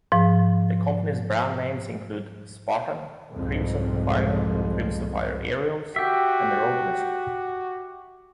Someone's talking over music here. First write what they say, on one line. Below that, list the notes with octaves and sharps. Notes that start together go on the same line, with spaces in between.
The company's brand names include "Spartan", "Crimson Fire", "Crimson Fire Aerials", and "Road Rescue".
G#2 F3
C2 F2 G#2
F#4 G4 E5